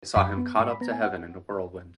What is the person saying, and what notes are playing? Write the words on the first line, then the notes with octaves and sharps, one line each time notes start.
They saw him caught up to heaven in a whirlwind.
F#2 B5
B3
G#2 C#6
B5
B3 A#5
G#5
F#5